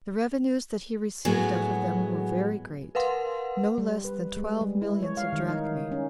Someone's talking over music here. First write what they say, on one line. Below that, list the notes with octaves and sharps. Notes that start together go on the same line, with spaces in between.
The revenues that he received out of them were very great, no less than twelve millions of drachme.
A2 F#3 G#3 B3 F#4 G#4
A#4 B4 F5 F#5 C6
G3
B4
G#3
G3
E4
C#5
F5
D#3
D#4
C#4